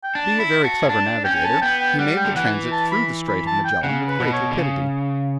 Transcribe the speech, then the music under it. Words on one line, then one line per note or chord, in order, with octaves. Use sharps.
Being a very clever navigator, he made the transit through the Strait of Magellan with great rapidity.
G5
D4 A5
E4 B5
F#4 A5
C#4
D4 A5
C#4 G5
G5
A5
B3 G5
G5
G3 F#5
G5
D3
E3 F#5
A5
B5
B5
A5
G5
C#3 F#5
B4
B2
B4
C#5
D3
C#3